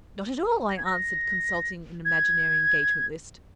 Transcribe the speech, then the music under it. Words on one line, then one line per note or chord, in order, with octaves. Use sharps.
'Not at all,' I answered, consulting an imaginary engagement list.
A#6
G#6
A#6
G#6